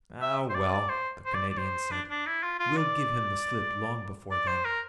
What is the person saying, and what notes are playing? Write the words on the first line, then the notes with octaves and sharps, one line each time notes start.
"Oh well," the Canadian said, "we'll give him the slip long before then."
E5
C5
D5
D5
C5
C5
D5
D5
C5
D4
D4
E4
F4
F4
D5
D5
C5
A#4